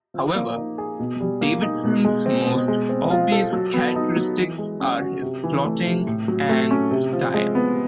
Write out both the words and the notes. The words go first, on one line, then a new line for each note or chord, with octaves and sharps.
However, Davidson's most obvious characteristics are his plotting and style.
F3
A#3
D#4
G#4
B2
G3
A#3
D#4
B2
G#3
C4
B2
G#3
C4
F4
A4
F#3
B3
D#4
F#3
E3
G#3
C#4
F#4
C3
E3
A3
C3
A2
F#3
A3
C#4
C3
F3
G#3
B3